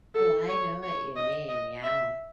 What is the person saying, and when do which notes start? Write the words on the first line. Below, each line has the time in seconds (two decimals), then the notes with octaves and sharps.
Oh, I know what you mean, yeah.
0.15 A4
0.48 C#5
0.83 C#5
1.16 D#5
1.49 D#5
1.83 E5